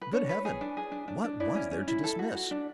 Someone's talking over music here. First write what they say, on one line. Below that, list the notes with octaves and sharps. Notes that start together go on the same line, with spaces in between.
Good Heaven, what was there to dismiss!
B4
D4 C#5
B4
G#4
D4
G#4
D4
D4
D4
E4 D5
C#4
C#4
E4
A4
F#4
F#4
D4